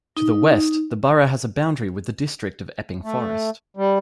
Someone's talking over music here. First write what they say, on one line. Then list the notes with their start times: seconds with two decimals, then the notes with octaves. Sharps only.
To the west the borough has a boundary with the district of Epping Forest.
0.17 D#4
3.04 A3
3.77 G3